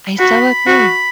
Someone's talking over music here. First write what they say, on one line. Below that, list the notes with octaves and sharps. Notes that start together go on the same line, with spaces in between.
I so agree.
F#4 B5
F#4